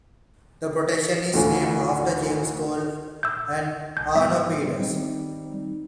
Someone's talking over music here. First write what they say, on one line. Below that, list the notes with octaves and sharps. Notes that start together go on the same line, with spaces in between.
The projection is named after James Gall and Arno Peters.
D2 A2 D3 E3 F4 G#5
E5 E6 G6
B1 G#5 A5 G6
G#2 G3 B3 D#5 E5
D#3 G3 C4 D#4